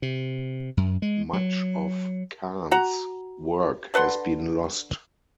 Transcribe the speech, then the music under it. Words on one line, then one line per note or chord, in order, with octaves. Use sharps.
Much of Kahn's work has been lost.
C3
F#2
G#3
F#3
F#4 F#5 A#5
D3 B4 F#5 C6